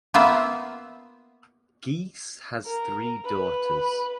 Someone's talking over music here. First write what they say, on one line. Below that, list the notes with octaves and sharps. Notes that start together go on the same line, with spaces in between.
Geese has three daughters.
A#3 B3 F4 E5
A#4
B4